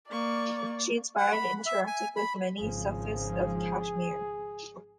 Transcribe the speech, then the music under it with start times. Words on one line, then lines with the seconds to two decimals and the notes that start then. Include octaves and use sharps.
She inspired and interacted with many Sufis of Kashmir.
0.10 A#3 D5 C#6
1.18 F#5
1.32 B5
1.66 E5
1.87 G#5
2.16 B5
2.58 G#1 C#3 F3 G#4